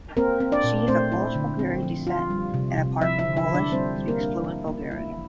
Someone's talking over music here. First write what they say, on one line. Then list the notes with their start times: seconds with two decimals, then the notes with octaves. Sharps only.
She is of Polish–Bulgarian descent and apart from Polish speaks fluent Bulgarian.
0.17 A#3 C4 A#4
0.40 C4
0.52 D4 D5
0.64 A#2
0.88 A3 C4 C5
1.12 E4
1.35 D3
1.59 C4
1.83 F3
2.07 F4
2.30 G3
2.54 C3
2.78 C3
3.01 F3 E4 E5
3.19 E4 E5
3.25 D3
3.37 E4 E5
3.49 D3
3.55 D4 D5
3.72 G3 C4 C5
3.96 G3
4.08 A#3 A#4
4.20 D4
4.44 E4
4.67 A#3
4.91 E4